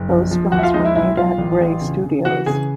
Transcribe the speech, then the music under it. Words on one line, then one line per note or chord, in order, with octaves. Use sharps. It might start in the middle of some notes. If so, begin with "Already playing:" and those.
Those films were made at Bray Studios.
Already playing: F#1
A#1
F3
D#2 F#4 F#5
E5
F4 F5
G#3 D#4 D#5
E4 E5
B1 E4 E5
B1 F4 F5
A1
A1
C#3
C#3
E3 F#4 F#5
C#3 G#4 G#5